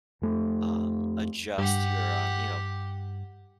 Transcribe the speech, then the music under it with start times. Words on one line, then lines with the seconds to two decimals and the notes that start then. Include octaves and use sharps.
um, adjust your, um, you know,
0.22 F2 A3
1.58 G2 G4 F#5